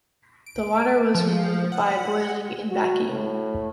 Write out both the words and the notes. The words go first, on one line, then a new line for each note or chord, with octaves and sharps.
The water was removed by boiling in vacuum.
D7
F3
F#5
F#4
A2